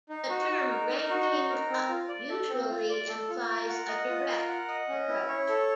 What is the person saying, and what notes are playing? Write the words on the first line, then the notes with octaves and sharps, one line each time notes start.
The term "ranking up" usually implies a direct approach.
D#4
F#4
D#4
A#4
D#4
F#4
D#4
A#4
C4
F4
D5
A4
C4
F4
D5
A4
F4
A#4
F#5
D#5
F4
A#4
F#5
D#5
C#4
E4
C#5
A4